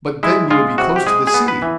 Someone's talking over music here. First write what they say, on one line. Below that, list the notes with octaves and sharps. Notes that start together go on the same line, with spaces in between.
"But then you would be close to the sea?"
G#3 E4
G#3 F4
C3 F#4
G4
G#3 G#4
G#4
B3
B4
E3